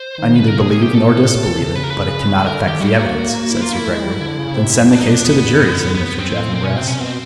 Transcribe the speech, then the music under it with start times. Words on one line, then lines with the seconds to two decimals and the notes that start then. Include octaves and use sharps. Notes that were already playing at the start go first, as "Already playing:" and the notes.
"I neither believe nor disbelieve it; but it cannot affect the evidence," said Sir Gregory. "Then send the case to the jury," said Mr. Chaffanbrass.
Already playing: C5
0.18 D#3
0.36 D3 B4
0.48 A#4
0.53 C#3
0.59 G#4
0.71 C3 G#4
0.83 G4
0.88 A#2
0.94 A4
1.06 A2
1.58 C#3
1.75 B4
1.83 A#4
1.90 B4
2.46 D3 A#4
2.63 D#3
2.68 G4
2.80 G3 F#4
2.88 G4
2.96 A#3 F#4
3.50 E4
3.62 F4
3.74 E4
3.85 A3
3.94 G#3
4.02 G3
4.11 F#3
4.20 D3
4.38 C#3
4.55 C3
4.73 F#2
4.90 D4
5.00 G2 D#4
5.10 F2 D4
5.25 E2 B3
5.33 F2
5.42 E2
5.51 F2
5.59 F#2
5.94 E2 B3
6.06 B3
6.18 F#2 C4
6.30 A2
6.47 A#2
6.56 C4
6.64 B2 C#4
6.76 C4
6.81 C3
6.87 C#4
7.00 B2 C4